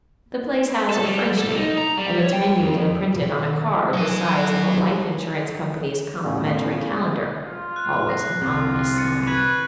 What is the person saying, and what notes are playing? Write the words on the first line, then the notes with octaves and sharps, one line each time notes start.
The place has a French name and its menus are printed on a card the size of a life insurance company's complimentary calendar, always an ominous sign.
A4
G3
A4
D#4
A#5
G3
C#5
G5
F2
B2 D#3
F#3 G#5
E2 A2 C#3
F4
F#6
A#6 C7
C2 C3 F4
A6 C#7 D#7
B4 C#6 F#6 G#6